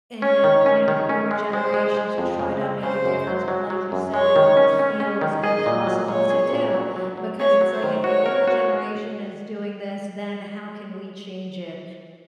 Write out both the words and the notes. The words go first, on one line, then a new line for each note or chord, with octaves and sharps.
in, uh, you know, the newer generation to try to make a difference, but like you said, it almost feels impossible to do because it's like if the older generation is doing this, then how can we change it?
C#4 C#5
D#3
C#4
D#3
C#4
G#3
G#3 C5
G#3
G#3
F2
C#3
C4
C#3 C5
F#2
F#3
F#3
F#3
F#2
G#3 C#5
D#3
C#4
C#4
C#4
D#3
G#4 D#5
A#2
F#3
A#2 C#5
G#4
A#2
F#3
F#3
F#3
G#4 C#5
F#3
C5
D#3
F#4 C#5
A#4
F#4